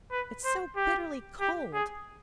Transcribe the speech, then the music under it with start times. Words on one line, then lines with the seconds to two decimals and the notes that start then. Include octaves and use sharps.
It's so bitterly cold.
0.11 B4
0.44 C5
0.76 G4
1.40 G4
1.73 G#4